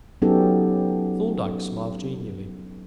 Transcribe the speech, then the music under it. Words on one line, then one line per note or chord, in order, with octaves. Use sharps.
Thorndyke smiled genially.
F#3 B3 C#4 D#4 G4 A4